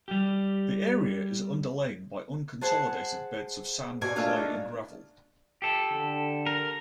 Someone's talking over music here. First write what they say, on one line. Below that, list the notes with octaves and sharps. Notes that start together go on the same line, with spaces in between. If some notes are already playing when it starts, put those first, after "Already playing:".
The area is underlain by unconsolidated beds of sand, clay and gravel.
G3 G4
G#4 C5 F#5 A5
D#2 B2 D4 D5 G#5
A3 A#3 D4 D#4 F4
G4 A4
D3
A#4